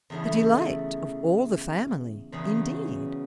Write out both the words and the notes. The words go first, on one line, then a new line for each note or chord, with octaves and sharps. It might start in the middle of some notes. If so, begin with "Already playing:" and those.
The delight of all the family, indeed!
E2 C#3 A3 E4
E2 C#3 F#3 C#4